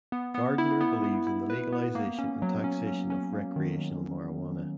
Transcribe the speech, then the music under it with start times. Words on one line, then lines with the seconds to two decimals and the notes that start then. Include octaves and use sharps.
Gardiner believes in the legalization and taxation of recreational marijuana.
0.12 B3
0.35 B3
0.58 E4
0.81 B3
1.04 B3
1.27 E4
1.50 B4
1.72 B3
1.95 A#3
2.19 C#4
2.42 F#3
2.64 C#4
2.87 C#4
3.10 C#4
3.33 A#3
3.56 D#3